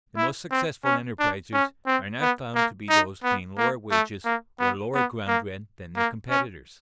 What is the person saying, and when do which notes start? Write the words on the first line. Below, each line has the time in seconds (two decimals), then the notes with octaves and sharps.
The most successful enterprisers are not found to be those paying lower wages or lower ground-rent than their competitors.
0.17 E4
0.51 C4
0.84 C#4
1.19 D4
1.53 C#4
1.87 C4
2.21 B3
2.55 A#3
2.90 D#4
3.24 B3
3.58 A#3
3.91 A3
4.25 A#3
4.60 B3
4.94 B3
5.27 A#3
5.97 A#3
6.30 C#4